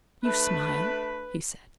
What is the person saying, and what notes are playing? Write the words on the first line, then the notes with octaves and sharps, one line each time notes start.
"You smile," he said?
A3 D4 B4